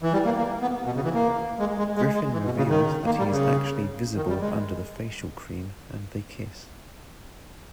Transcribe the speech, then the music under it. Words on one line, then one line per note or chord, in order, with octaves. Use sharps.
Griffin reveals that he is actually visible under the facial cream, and they kiss.
E3
G3
A#3
A#3
B3
B2
C#3
E3
A#3
G#3
G#3
G#3
G#3
E3
B2
C#3
D#3
A#3
G3
C#3
D#3
G3
G#3